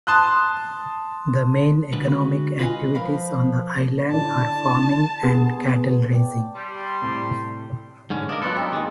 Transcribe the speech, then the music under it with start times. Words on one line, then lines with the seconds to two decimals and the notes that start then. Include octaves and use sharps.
The main economic activities on the island are farming and cattle raising.
0.07 A5 C6 D#6 F#6
1.93 D3 G#3 F#4 B4
2.59 F4 B4 D#5 G#5
2.95 F3 A#4 F5 B5
4.12 D3 E4 D5 A5
5.23 B3 G#4 C6
6.12 D5 G5 A5
6.55 G3 C6
7.02 A2 C3
8.10 G#2 D3 C#4
8.29 D4 A#4 D5 D#5 F5
8.42 F#3 B3 D4 F4 A4 B4
8.56 C4 D#4
8.72 D#2 G#3 D#4 D6